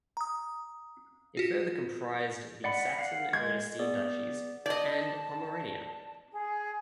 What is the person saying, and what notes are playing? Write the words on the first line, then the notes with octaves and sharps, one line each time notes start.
It further comprised the Saxon Ernestine duchies and Pomerania.
A#5 D#6
F4 F#4
D5 F#5 B5
F5 F#5
G#3 G#6
B3 G#4 D5
D5 D#5 A5
G#4